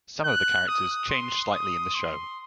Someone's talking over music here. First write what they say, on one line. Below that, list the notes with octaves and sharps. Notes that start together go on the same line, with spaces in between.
Some of the characters changed slightly in the show.
F#6
D#6
C6
D#6
C6